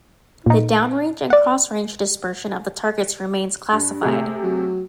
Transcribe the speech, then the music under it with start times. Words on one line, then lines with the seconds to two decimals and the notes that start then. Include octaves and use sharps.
The downrange and crossrange dispersion of the targets remains classified.
0.46 A#2 D#4
1.30 D5 F#5
3.72 G2
4.03 C3 A3 G#4
4.43 F#3